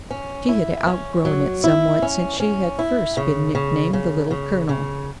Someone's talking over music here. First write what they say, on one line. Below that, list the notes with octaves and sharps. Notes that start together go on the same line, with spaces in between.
She had outgrown it somewhat since she had first been nicknamed the Little Colonel.
C#4
E4
C#4
F#3
E4
C#4
C#4
E4
C#3
C#3
C#3
C#3
C#3